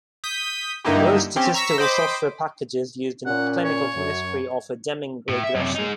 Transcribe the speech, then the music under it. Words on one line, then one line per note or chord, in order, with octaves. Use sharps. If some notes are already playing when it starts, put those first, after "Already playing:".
Most statistical software packages used in clinical chemistry offer Deming regression.
D#6 G6 B6
G2 D3 A#3 D#4 E4 G4
C4 C#4 G4
A#5 C#6 E6 B6
C5 D#5 G5 B5 D6
A#2 C#4 F#5
C#5
F#2
A2
E5
F#2 C3
G#3 D#4